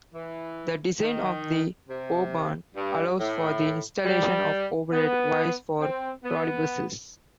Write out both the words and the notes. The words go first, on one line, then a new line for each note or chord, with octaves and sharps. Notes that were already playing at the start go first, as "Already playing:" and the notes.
The design of the O-Bahn allows for the installation of overhead wires for trolleybuses.
E3
D#3
C3
G2
A2
G3
B3
C4
B3